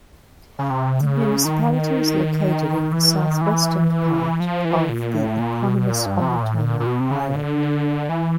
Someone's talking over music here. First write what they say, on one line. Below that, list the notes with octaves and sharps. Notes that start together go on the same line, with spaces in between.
The municipality is located in the southwestern part of the eponymous Olutanga Island.
C#3
C3
D3
C#3
D#3
E3
D#3
E3
F3
E3
F3
E3
A#2
A2
A#2
B2
A#2
G2
C3
B2
A#2
A2
A#2
A#2
B2
C3
C#3
D3
E3